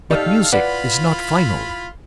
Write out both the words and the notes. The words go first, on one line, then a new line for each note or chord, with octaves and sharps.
But music is not final.
A3 D#4 G4 A4 D5 F5
E4 F4 B4 D5 F#5 B5